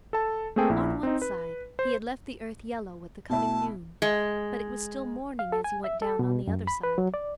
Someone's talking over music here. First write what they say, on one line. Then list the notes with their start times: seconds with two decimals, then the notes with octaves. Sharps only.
On one side he had left the earth yellow with the coming noon, but it was still morning as he went down on the other side.
0.13 A4 A5
0.56 A3 A#3 C4 G#4 A4 G5
0.69 A#1 E4
1.03 C4 D#4
1.22 B4
1.79 C5
3.30 B2 E4 A5
4.02 G#3
5.39 F5
5.52 A4
5.64 G#5
5.84 E5
6.02 A4
6.19 B2
6.47 F#2
6.67 B5
6.83 B4
6.98 F#3
7.14 D5